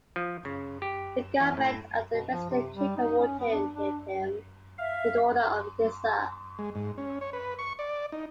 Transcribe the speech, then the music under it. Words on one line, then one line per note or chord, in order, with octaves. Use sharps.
The Government of the Western Cape awarded him the Order of the Disa.
F3
C#3
G4
E2
A2
B2
F3
C3
G3
D#4
C#4
B3
D4
D4
E5 F5
G#3
G#2
C#4
C#5
B4
C#6
D5
D#4